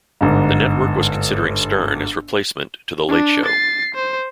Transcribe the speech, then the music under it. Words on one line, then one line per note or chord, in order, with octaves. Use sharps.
The network was considering Stern as replacement to "The Late Show".
G1 G#2
D4
A6 C7
C5